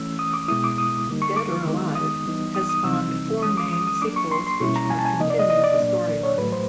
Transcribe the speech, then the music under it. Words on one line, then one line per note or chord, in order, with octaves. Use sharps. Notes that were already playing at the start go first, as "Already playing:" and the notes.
"Dead or Alive" has spawned four main sequels which have continued the storyline.
Already playing: E3 A3 C#4 E6
D#6
D6
B2 G#3 B3 E4 D#6
D6
D#6
D3 G3 A#3 D#4
C#6
D6
D#3 G#3 B3 D#4
D#6
E3 G3 B3 D#4
D#6
D#6
C3 E3 G3 C4 D#4 E6
E3 G#3 C#4 D#6
D6
D#6
D#6
F#3 A#3 D4 D6
C#6
C6
C6
B2 G3 A#3 C#4 E4 C#6
A#5
G#5
A5
G#5
C3 F3 A#3 D#4 D#5
D5
D#5
D#5
D5
A#2 F#3 A#3 D4
C#5
A2 F#3 A3 B4
C5